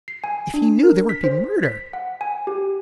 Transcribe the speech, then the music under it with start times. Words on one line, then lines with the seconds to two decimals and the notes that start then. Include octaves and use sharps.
If he knew, there would be murder.
0.08 C7
0.24 G#5
0.54 D4
0.83 A#4
1.09 B6
1.24 C5
1.63 B6
1.93 F#5
2.21 G#5
2.47 G4